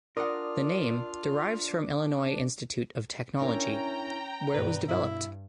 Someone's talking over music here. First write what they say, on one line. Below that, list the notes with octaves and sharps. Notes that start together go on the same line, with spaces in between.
The name derives from Illinois Institute of Technology, where it was developed.
D4 F4 A#4 D5 F#5 D6 D#6
C#4 D4 E4 A#4 G5 A#5
G2 B2 B4 D5
G2 E4